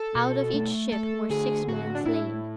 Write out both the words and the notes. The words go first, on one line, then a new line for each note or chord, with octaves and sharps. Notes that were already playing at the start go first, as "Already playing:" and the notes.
Out of each ship were six men slain.
Already playing: A4
B2
A3
A3 A4
D3 G#4
A2 F#4
D4
A2 E4